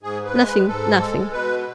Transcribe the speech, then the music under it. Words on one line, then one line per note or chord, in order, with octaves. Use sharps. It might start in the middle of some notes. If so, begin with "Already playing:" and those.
"Nothing, nothing."
G#2 G#4
B4
G#3
B4
G#2 A4
G#3
B2 B4